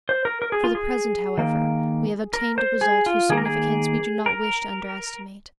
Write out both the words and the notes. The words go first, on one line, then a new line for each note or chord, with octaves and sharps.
For the present, however, we have obtained a result whose significance we do not wish to under-estimate.
C5
A#4
A#4
G#4
F4
G#4
D#3 A#3
A#4
C5
G#4
F4
D#3 A#3 G#4
A#4
G#4
A#4